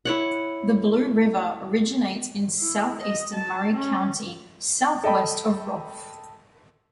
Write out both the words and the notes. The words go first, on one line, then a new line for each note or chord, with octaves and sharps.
The Blue River originates in southeastern Murray County, southwest of Roff.
E4 C#5 F#5
E4
D#5
A5
C#4
A4 D#5 G5 B5